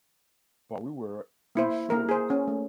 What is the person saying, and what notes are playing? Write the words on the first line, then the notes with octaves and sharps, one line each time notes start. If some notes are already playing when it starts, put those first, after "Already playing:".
But we were insured.
A#3 E4 C5
A#3 A#4
G#4 C5
C#4
A3